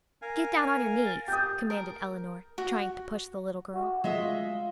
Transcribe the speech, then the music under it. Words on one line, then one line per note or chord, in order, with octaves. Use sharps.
"Get down on your knees," commanded Elinor, trying to push the little girl.
A#4 F5 G#5
A6
G4 D#6 G6
A#4
F#4
F#4
G#3 F4 D#5 E5